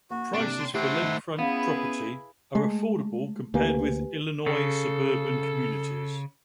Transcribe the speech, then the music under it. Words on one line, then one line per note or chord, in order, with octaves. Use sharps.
Prices for lakefront property are affordable compared with Illinois suburban communities.
A#3 F#4
C3 A#3 D4
C6
A3 E4 G4 C5 F#5
D#3
B3 C#4 E4 G#4 B4 F5
G#3 A3
D2 A#3 G4 B4 G#5
C#3 A4